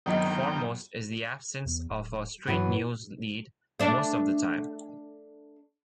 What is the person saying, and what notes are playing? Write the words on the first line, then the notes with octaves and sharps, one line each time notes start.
Foremost is the absence of a straight-news lead, most of the time.
G1 C2 G2 D#3 F#3 D#5 G5
E2
D1
G2 E3 F#3 B3
A3 D4